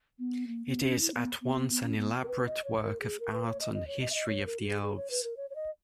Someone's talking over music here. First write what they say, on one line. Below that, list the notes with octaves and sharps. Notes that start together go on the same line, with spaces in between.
It is at once an elaborate work of art and history of the elves.
B3
A#3
B3
C#4
E4
B3
B3
B3
B3
C#4
B3
A#4
B4
D#5
C#5
A#4
G#4
A#4
B4
C#5
D#5
D#5
C#5
D#5
E5
D#5
C#5
A#4
F#4
G#4
G#4
C#5
B4
A#4
C#5
C#5
D#5